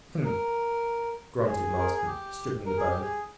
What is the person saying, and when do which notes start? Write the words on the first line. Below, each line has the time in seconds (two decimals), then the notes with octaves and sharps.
"Hm!" grunted Marsden, stripping the bone...
0.24 A#4
1.46 G#4
1.78 A#4
1.92 G#4
2.07 G4
2.66 A#4
2.77 G#4
2.90 G4
3.01 G#4